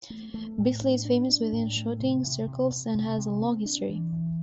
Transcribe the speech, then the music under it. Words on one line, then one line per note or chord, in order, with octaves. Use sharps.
Bisley is famous within shooting circles and has a long history.
A3
A3
A2
D4
D4
D4
A2
A3
C3
C3
C3
C3
C3
C3
C4
D4
E3
E3